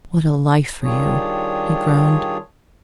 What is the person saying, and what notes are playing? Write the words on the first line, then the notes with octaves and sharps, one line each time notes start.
"What a life for you!--" he groaned.
D#3 G3 D4 F4 G#4 C#5